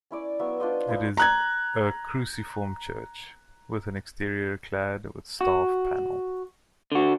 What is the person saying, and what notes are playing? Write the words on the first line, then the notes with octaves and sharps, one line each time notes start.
It is a cruciform church, with an exterior clad with staff panel.
C#4 E4 D5
F#3 B3 E5 F5
D4 F4 C5 D#5
F3 B4 C5 E5
A#5 F#6 G#6
F#4
D3 F#4